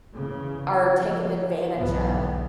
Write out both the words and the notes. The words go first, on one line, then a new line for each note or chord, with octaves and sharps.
are taken advantage of.
E2 C#3
F3
B1 E2 G#2 D3 B3